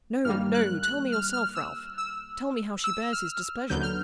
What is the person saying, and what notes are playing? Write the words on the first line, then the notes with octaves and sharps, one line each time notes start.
"No! no! tell me yourself, Ralph--tell me how she bears his displeasure!"
G2 D#3 G3 A#3 F6
F#6
F#6
F6
F6
E6
E6
E6
F6
D#2 D3 F#3 B3 G6
F6